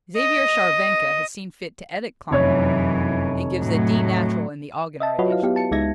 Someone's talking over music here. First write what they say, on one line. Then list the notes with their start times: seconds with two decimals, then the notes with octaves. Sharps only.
Xaver Scharwenka has seen fit to edit Klindworth, and gives a D natural in the Augener edition.
0.16 D#5
2.31 F1 F#2 E3 C#5
3.58 A2 F#3
5.00 D#5 E5 A5
5.19 F#3 F4 F#4 B4 C#5 D#5
5.31 E4 F5
5.43 B3 G4 F5
5.56 A5 C#7
5.71 C#2 G#3 D#4 E5 G#6 A#6